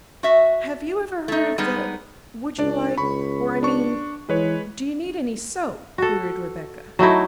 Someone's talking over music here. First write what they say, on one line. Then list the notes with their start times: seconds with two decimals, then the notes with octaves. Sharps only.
"Have you ever heard of the--would you like, or I mean--do you need any soap?" queried Rebecca.
0.23 F#4 E5
1.28 A3 D#4
1.58 G3 G#3 B3 D#4
2.58 C#2 D4 D5
2.98 C#2 B5 C#6
3.63 D4 C#6
4.29 E3 G#3 B4 C#5
5.98 F#4 A4
6.99 F#3 A3 D#4 E4